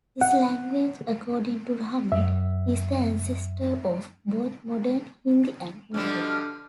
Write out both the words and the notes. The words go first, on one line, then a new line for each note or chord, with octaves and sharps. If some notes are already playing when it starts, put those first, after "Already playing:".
This language, according to Rahman, is the ancestor of both modern Hindi and Urdu.
F#5
F#2 E5
B2 D3 F3 G3 F6